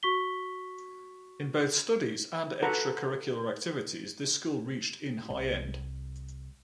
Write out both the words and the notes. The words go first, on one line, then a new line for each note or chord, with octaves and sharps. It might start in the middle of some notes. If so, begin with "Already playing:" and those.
In both studies and extra curricular activities this school reached in high end.
F#4 C#6 B6 G7
F#4 A4 B4 F#5 A#5
C2